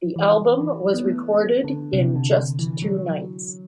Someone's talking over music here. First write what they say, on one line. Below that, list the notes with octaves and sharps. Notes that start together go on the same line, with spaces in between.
The album was recorded in just two nights.
E3
E3
B3
A3
B3
D3
C3
D3
D3
E3
F#3